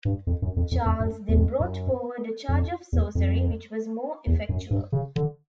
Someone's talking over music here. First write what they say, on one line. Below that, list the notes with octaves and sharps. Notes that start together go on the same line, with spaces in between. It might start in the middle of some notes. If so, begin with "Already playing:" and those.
Charles then brought forward a charge of sorcery which was more effectual.
G2
F2
F#2
F2
F2
F2
F#2
E2
F2
F#2
F2
E2
F2
E2
F#2
G2
C#3
D3